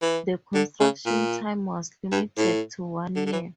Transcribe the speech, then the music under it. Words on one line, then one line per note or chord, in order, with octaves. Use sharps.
The construction time was limited to one year.
E3
D3
C#3
A#2
G2
A2
D3
D3
E3